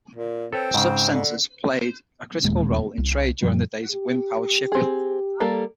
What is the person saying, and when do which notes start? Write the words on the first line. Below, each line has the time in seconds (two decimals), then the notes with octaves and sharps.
Such centers played a critical role in trade during the days of wind-powered shipping.
0.15 A#2
0.53 C4 A4 B4 C#5
0.74 G#2 C#3
1.13 D3
2.44 E1 D#2 A#2 G#3
2.98 C2
3.42 F#2 A#2 F3 G3
3.92 G4
4.72 C4 G#4
5.40 G3 A#3 A4